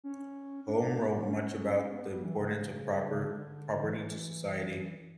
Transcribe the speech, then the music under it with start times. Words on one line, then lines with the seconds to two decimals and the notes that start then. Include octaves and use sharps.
Home wrote much about the importance of property to society.
0.04 C#4
0.66 D4
0.97 D4
1.29 C#4
1.92 B3
2.08 G3
2.23 E3
2.40 C#3
3.18 D3
3.81 E3